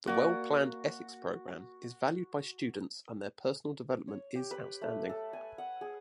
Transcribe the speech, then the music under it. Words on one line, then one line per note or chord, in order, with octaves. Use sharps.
The well-planned ethics programme is valued by students and their personal development is outstanding.
A#3 F#4 D5
C#5
G4
B4
A3
A4
G#5
F#5
G#4